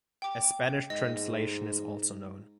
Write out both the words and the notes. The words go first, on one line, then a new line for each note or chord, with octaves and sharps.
A Spanish translation is also known.
G5 D6
G#2 D#5